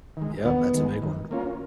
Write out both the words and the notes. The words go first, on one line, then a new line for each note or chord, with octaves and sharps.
Yep, that's a big one.
D#3 G#3
D#2 B3
D#3 G#3
D#3
A#3 C#4 F4